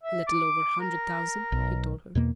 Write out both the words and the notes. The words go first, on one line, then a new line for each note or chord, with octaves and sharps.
"A little over a hundred thousand," he told her.
E5
D6
A#4
B1
E2 B2 A#3